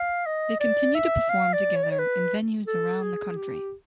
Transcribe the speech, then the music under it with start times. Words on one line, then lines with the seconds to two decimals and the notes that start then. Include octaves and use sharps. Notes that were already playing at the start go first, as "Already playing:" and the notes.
They continue to perform together in venues around the country.
Already playing: F5
0.26 D#5
0.60 D5
0.95 E5
1.30 F5
1.53 D5
1.76 C#5
1.83 D5
1.91 C#5
1.99 B4
2.67 A4
3.02 G#4
3.37 G4